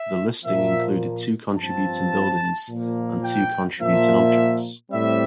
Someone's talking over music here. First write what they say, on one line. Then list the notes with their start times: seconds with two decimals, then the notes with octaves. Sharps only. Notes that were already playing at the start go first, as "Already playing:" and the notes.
The listing included two contributing buildings and two contributing objects.
Already playing: E5
0.44 A#2 F3 A#3 E5
1.56 G2 F3 C4 A5
2.67 A#2 F3 A#3
3.23 G5
3.80 A#2 F3 A#3 E5
4.92 A2 G3 C4 E5